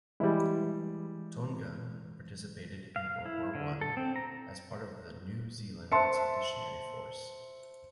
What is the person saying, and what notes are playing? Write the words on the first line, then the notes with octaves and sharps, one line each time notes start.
Tonga participated in World War One, as part of the New Zealand Expeditionary Force.
E3 G3 G#3 E4
F5
E4
D3
A4
C4
A#5
C5 E5 A5 C6 C#7